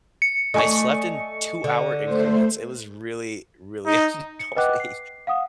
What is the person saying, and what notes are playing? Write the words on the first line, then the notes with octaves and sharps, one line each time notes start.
I slept in two-hour increments. It was really, really annoying.
C#7
A3 D5 D#5 G#5 C#6
D3
A3 C5
D#4
C#7
B4 D#5 F#5 G5 D6 F#6
C7
F5 F#5 D#6